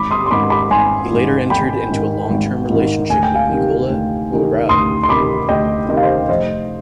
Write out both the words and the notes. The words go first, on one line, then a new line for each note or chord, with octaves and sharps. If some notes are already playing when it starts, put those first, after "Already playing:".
He later entered a long-term relationship with Nicola Hoarau.
Already playing: G#1 B5 D6
C6 D#6
C6
G#2 D#3 B5 D6
B5 D6
G#1 G#5 C6
G#2 D#3
G#1 G5 B5
G#2 D#3
G#1
G#2 D#3
D2 G#5
G5
F5 G#5
C3 D#3
D2
C3 D#3
D2 C6 D#6
C6
C3 D#3 B5 D6
D2 D#5 G5
C3 D#3 D#5
F5
C5 D#5
F1 C5 D#5